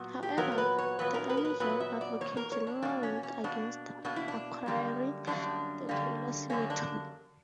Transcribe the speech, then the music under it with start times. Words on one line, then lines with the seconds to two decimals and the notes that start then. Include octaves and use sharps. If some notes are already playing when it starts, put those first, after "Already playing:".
However, the Army judge advocate general ruled against acquiring the Taylor cemetery.
Already playing: A#2 F#3 B3
0.23 G4
0.37 A#2 F#3 B3 A#4
0.52 A#4
0.58 B4
0.78 C#5
0.99 A#2 F#3 B3 B4
1.14 A#4
1.30 B4
1.37 A#4
1.45 B4
1.60 A#2 F#3 B3 B4
1.80 E5
2.01 D5
2.21 B2 A#3 C#5
2.37 A#4
2.52 C#5
2.67 D4
2.82 B2 A#3 D4
3.03 C#4
3.23 C#4
3.44 B2 A#3 D4
4.04 B2 A#3 D4
4.16 E4
4.28 D4
4.66 F#2 D3 G3 A#3
5.27 F#2 D3 G3 A#3 D4
5.89 F#2 D3 G3 A#3
6.50 F#2 D3 G3 A#3 C#4
6.70 D4